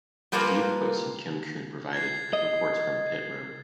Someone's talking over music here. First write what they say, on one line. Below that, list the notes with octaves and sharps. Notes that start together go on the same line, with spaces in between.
Steve Post and Kim Coon provided reports from pit road.
F3 G3 A#3 F4 A#4 B4
G#6 A6 C7
D#5